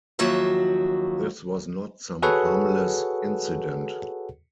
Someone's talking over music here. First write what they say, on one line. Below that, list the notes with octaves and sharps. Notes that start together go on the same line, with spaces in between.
This was not some harmless incident.
D#2 F3 F#3 F#4 E5
F#4 G#4 A4 B4 C#5 F#5